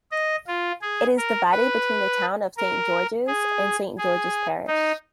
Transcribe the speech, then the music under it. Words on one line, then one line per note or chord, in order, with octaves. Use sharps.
It is divided between the town of Saint George's and Saint George's Parish.
D#5
F4
G#4
A#4
B4
A#4
G#4
G#4
D#4